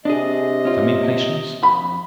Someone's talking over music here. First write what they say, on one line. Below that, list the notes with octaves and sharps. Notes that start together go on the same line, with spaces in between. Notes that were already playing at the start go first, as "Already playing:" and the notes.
Some impatience.
C3 D4 G#4 D#5
C#4 F4
F2 B5